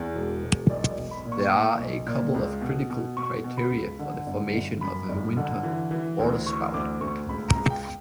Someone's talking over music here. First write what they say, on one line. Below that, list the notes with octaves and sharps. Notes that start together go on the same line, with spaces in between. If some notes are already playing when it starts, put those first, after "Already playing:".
There are a couple of critical criteria for the formation of a winter waterspout.
Already playing: E2
E1
E1
B1 D5
D5
B1
B5
A#2
C#6
A#2
B1
A#2
C#2
B2
B2
B2 C#6
B2
B5
C#2
D3
G1
G1
F#2 B5
G1
D3
E3
E3
D2
E3 C#6
D2 D6
D2 C#6
C#2 B5
A#5
C#2
G5